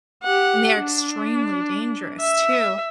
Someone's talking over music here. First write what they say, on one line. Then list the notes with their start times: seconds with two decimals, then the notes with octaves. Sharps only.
and they are extremely dangerous too,
0.23 G4 F#5
0.79 D4
2.20 E5